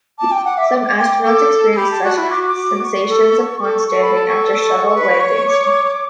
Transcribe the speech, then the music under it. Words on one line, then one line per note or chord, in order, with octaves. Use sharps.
Some astronauts experienced such sensations upon standing after shuttle landings.
A5 D6
G5
F#5
E5
G5
A4 D6
A4
G4 B5
A5
F#4 A5
E4 B5
F#4 D6
D6
F#4
C#6
A4
A4
A4 C#6
B5
A5
C#6
B4
C#5
D6